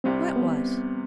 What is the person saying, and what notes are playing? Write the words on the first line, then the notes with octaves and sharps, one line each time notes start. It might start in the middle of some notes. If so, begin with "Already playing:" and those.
"What was?"
C2 C3 G3 C4
B3